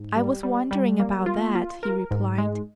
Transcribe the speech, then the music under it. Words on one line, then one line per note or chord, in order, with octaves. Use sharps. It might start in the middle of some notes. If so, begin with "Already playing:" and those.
"I was wondering about that," he replied.
Already playing: G#2
G3
G3
G3
A#3
F4
F4
A#4
G#2
G#3